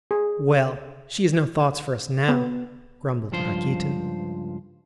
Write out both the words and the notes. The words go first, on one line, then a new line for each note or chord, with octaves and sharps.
"Well, she has no thoughts for us now!" grumbled Rakitin.
G#4
B3
C#2 G2 F3 C5 C6